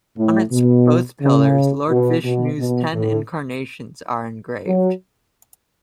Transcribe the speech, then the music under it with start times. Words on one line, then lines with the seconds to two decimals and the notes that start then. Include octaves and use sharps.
On its both pillars Lord Vishnu's ten incarnations are engraved.
0.16 A2
0.50 B2
1.20 C#3
1.89 B2
2.23 B2
2.58 B2
2.93 A2
4.65 F#3